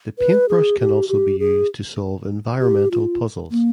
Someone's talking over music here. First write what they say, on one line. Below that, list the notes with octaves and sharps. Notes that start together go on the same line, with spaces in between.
The paintbrush can also be used to solve environmental puzzles.
B4
G#4
G4
G4
G#4
G4
F4
A#3